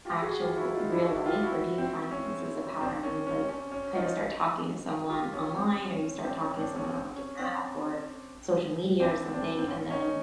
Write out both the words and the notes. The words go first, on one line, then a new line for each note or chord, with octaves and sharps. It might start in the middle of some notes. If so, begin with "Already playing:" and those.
actual real life, or do you find that this is a pattern where you, like, kinda start talking to someone online or you start talking to someone on, like, an app or social media or something, and then
F4 G4
F#4 G#4
F4 G4
E4 F#4
D#4 F4
D4 E4
E4 F#4
F4 G4
E4 F#4
C4
C#4
C4 D4
C#4
C#4
C#4
C#4
D#4 F4
F4 G4
C#4
C4
C#4
C4 D4
C#4
C4 D4
C#4
C4
C#4
C4 D4
C4 D4
C4 D4
C4
C#4
C#4 D#4